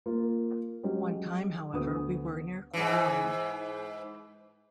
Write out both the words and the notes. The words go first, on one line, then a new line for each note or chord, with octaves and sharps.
One time, however, we were near quarrelling.
A#3 F4
F#3 G#3 C#4 G4
D2 B3 D#6
G#2 E3